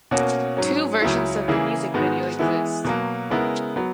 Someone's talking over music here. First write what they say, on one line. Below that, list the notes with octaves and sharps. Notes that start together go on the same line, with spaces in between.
Two versions of the music video exist.
B2 A#3 C#4 F#4 A#4
G#2 F#3 C#4
C#2 C#3 F#3 C#4 E4
C#3 E3 A#3 E4 G#4
G#2 D#3 G#3 B3 F#4
E3 G#3 B3 E4
B2 F#3 A#3
C#3 G#3 B3 E4 A#4
F#3 B3